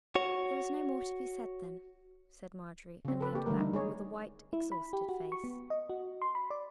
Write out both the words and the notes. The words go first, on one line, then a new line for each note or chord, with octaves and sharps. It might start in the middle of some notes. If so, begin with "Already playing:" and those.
"There is no more to be said, then," said Marjorie, and leaned back, with a white, exhausted face.
F#4 C#5
C#3 C4
A4 B4
A#3 G4
D3 E3 G3 A3 A#4
G3 D#4
G#3 G#4 C#5
E4
B5
G4
F#4
C#6
B3
D#5
F#4
C6
B5
D5